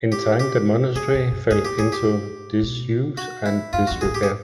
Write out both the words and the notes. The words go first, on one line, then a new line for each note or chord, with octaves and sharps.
In time the monastery fell into disuse and disrepair.
G4
G4
F#2 G#4
F#2
F#2
G2 G#4
G4
F2 G#4
G4
B2
F#4
E4
F#2 F4
F2 F#4
G#2 G#4
A2 G4
G#4